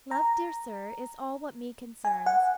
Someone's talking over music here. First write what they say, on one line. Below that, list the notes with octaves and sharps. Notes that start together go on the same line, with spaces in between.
Love, dear sir, is all what me concerns.
A#5
G#5
F#5